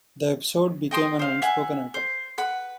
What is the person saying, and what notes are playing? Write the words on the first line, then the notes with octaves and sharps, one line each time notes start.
The episode became an unspoken item.
D#5 G5 C6 D#6
C5 F5
E5 F#5 G#5
C5
B4 F#5 B5